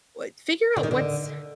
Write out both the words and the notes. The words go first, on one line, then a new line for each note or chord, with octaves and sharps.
what figure out what's
D3
D#3
D3